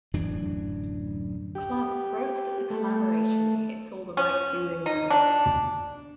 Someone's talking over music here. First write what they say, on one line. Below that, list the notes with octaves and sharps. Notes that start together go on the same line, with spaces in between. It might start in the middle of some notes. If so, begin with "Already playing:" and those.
Club" wrote that the collaboration "hits all the right soothing notes.
D1 F#2 E3 D4
G4
A3
C#4
D#4
D4